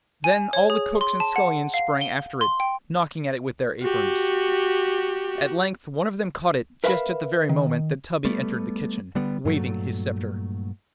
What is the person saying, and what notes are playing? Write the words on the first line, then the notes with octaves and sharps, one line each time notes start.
Then all the cooks and scullions sprang after it, knocking at it with their aprons. At length one of them caught it just at the very moment that Tubby entered the kitchen, waving his sceptre.
G#5
C#5
G#4
C6
A5
F#5
F5
G7
C6
G5
F#4 G4
A#4 B4 E5 F5 G#5 B5
D#3
G3 A3 B3
D3 G3 B3
G2 A#2 F#3 A3